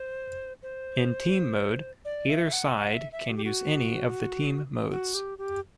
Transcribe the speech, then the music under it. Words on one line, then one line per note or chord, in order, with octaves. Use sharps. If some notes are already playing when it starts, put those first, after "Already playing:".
In Team mode, either side can use any of the team modes.
Already playing: C5
C5
D5
E5
F#5
F#5
E5
E5
F#4
G4
F#4
F#4
G4
G4